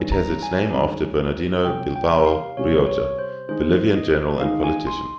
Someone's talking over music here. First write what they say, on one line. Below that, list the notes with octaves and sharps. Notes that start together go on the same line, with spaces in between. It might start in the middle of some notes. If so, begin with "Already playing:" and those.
It has its name after Bernardino Bilbao Rioja, Bolivian general and politician.
Already playing: G2 D#3 G#3 C#4
A#5
G#5
G2 D#3 G#3 C#4
C3 G3 C#4 G4 G5
G5
F5
C3 G3 C#4 G4 C#5
C#5
C5
D#3 G#3 D#4 C5
D#5
D#3 G#3 D#4 F5
G#5
C6